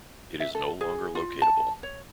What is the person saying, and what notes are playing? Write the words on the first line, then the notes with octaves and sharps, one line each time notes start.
It is no longer locatable.
E5
A4
G#4
F4
A5
C#5